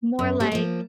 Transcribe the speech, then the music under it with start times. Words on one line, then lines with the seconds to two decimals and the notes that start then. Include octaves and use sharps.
more, like
0.19 F#2
0.40 G3 G#3 A#3 C4 D#4 G4
0.52 F3 A#3